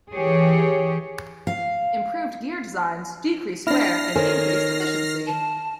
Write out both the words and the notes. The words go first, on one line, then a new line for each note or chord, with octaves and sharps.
Improved gear designs decreased wear and increased efficiency.
E3 G4 G#4 C#5
F5
D4 E4 F6 A#6 C7
D#3 A4 C5 C#5 G#5
A5